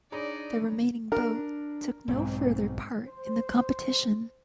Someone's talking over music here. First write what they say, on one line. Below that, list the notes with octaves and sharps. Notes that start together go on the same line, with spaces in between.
The remaining boat took no further part in the competition.
D4 D#4 G#4 C#5 D5 A#5 B5
D4 A#4
B1 G#2 C4
C5